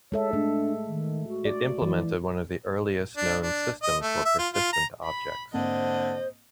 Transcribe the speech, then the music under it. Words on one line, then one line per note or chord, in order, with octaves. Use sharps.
It implemented one of the earliest-known systems for persistent objects.
G#3 A4 C#5 E5
A3 D4
D#3
F#4
D5
E3
D4
D4
D#5
A3
E5
F4
F4
A#5
B5
G#2 D3 A#3 C4 C5 D#5